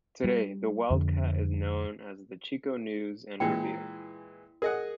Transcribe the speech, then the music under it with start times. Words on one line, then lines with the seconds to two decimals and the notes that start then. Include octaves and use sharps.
Today, "The Wildcat" is known as the "Chico News and Review".
0.24 G3
0.90 F2 D3
3.40 A#2 E3 G#3 G5
3.64 E4
4.62 G#4 A#4 D#5 F#5